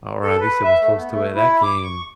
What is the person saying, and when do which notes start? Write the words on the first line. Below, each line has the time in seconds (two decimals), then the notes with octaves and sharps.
or at least it was close to it. That game
0.23 A4
0.40 B4
0.64 E5
0.81 A3
0.96 B3
1.10 A3
1.35 E4
1.63 D6
1.83 C#6